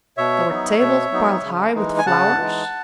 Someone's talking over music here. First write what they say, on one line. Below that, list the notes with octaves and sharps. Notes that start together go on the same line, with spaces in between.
There were tables piled high with flowers.
B2 C#5 E5
F#3 B3 D#4
B2
F#3 B3 D#4
C#3
E3 G#3 D#4
G#5
C#3 F#5 A5
E3 G#3 D#4